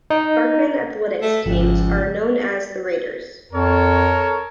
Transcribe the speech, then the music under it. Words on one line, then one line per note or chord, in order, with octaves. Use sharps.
Sparkman athletics teams are known as the Raiders.
D#4
A3
G#1 C#2 F3
F2 A4 A#4 C#5